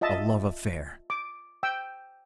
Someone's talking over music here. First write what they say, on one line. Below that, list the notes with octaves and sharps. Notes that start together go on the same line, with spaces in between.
A love affair!
F4 D#5 E5 A5
D6
G5 E6